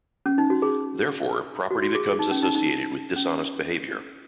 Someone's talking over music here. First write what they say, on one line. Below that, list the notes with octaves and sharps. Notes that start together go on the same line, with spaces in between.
Therefore, property becomes associated with dishonest behaviour.
C#4
D#4
F#4
G#4
F#4
F#4
G#4
G#4
D#4
C#4
D#4
D#4
C#4